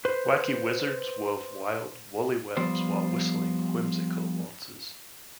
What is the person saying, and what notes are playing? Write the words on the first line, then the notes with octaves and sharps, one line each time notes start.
Wacky wizards wove wild, woolly webs while whistling whimsical waltzes.
B4 C5
F3 G3 B3 C5 D5